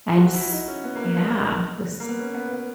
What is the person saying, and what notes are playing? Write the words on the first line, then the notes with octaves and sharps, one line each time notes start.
And, s yeah. It was
F#4
E4
D#4
C#4
B3
A#3
B3
A#3
B3
C#4
B3
B3